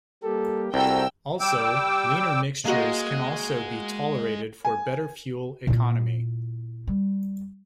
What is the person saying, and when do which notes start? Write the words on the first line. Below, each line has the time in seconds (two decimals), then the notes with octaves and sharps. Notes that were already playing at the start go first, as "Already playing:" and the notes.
Also, leaner mixtures can also be tolerated for better fuel economy.
0.23 G3 A#3 G4 A4
0.74 C2 C4 F#4 A4 G5 A#5 E6
1.40 G3 G5 D6 E6
2.65 G#3 A#3 F#4 D#5
4.65 G#5
5.67 A#2 E4
6.87 G3